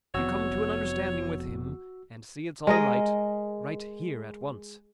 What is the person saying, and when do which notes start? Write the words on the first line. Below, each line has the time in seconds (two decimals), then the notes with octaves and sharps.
If you come to an understanding with him, and see it's all right, write here at once.
0.14 F1 F2 B3 F#4 C#5 E6
2.67 G#3 A#4 D#5